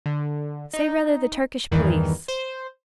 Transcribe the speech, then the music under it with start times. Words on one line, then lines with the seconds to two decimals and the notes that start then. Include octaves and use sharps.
'Say rather the Turkish police.
0.06 D3
0.74 D#4
1.71 E2 G2 D#3 E3
2.28 C5